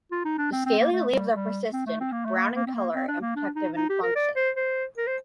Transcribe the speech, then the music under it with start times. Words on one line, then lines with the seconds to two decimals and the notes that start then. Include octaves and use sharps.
The scaly leaves are persistent, brown in colour and protective in function.
0.11 F4
0.25 D#4
0.38 D4
0.52 C4
0.66 C4
0.79 A#3
0.92 A3
1.12 G3
1.33 G3
1.73 C4
1.86 A3
2.00 C4
2.12 A#3
2.25 A3
2.37 A#3
2.54 A#3
2.67 C4
2.74 A#3
2.95 C4
3.08 D4
3.21 A#3
3.36 D4
3.55 D#4
3.76 D#4
3.89 G4
4.02 A#4
4.16 D5
4.36 C5
4.56 C5
4.97 A#4
5.07 C5